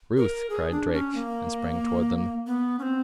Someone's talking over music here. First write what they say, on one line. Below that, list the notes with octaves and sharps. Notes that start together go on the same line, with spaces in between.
"Ruth!" cried Drake--and sprang toward them.
A#4
G#4
D4
C#4
A#3
B3
C#4
C4